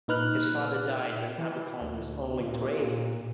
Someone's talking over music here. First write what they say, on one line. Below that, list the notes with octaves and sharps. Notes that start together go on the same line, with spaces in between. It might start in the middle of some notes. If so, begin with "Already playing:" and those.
His father died when Abercorn was only three.
A#2 D#4 B4 F6 F#6
E3
D2
A#2